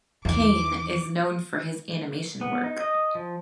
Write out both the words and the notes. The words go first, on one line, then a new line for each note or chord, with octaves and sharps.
Kane is known for his animation work.
E2 D#3 D6
B3
D#4
D#5
F3